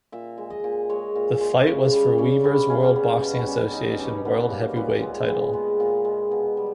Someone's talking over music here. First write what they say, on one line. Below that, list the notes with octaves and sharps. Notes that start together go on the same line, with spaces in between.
The fight was for Weaver's World Boxing Association world heavyweight title.
A#2 E5
G#3
D#5
A#2
G#3 C#5
A#2
G#3
C#3 C#5
G3 C#5
C#3 C#5
G3 B4
C#3 C#4
G3 B3
B2 B3
G3 C#4
B2 D#4
G3 C#4
B2 B3
G3 A#3
A#2 B3
G#3 B3
A#2 B3
G#3 B3
A#2
G#3
B2
G3